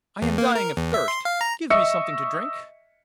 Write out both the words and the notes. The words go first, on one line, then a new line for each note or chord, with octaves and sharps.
'I am dying of thirst; give me something to drink.'
E2
A#3
A#4
E2
E5
C6
F5
A#5
D#5 E5 C#6 E6 C#7